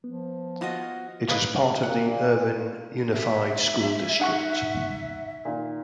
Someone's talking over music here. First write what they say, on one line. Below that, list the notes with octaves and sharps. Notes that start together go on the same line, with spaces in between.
It is part of the Irvine Unified School District.
F3 B3
F4 F#4 D#5
A#3 B4 D#5
A#2 F#5
E5
D#4 F#5 C#6
A#2 D#3